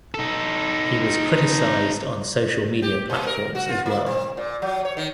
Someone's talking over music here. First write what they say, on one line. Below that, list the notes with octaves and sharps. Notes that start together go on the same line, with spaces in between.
He was criticised on social media platforms as well.
D#4 A4
G4
B2
A#4
F#4
F4
A#3
C4
A#2
F#3
C#5
D#3